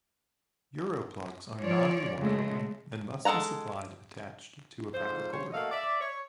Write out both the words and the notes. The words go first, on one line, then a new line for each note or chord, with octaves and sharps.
Europlugs are non-rewirable and must be supplied attached to a power cord.
F3 C#5 D5
C#3 G#3 A3
G#3 D#4 A4 F#5 A#5
F2 G#2 F4 C5
C5 C#5
A3 A#3 F#4 A4 D#5 F5
D5 E5
C#5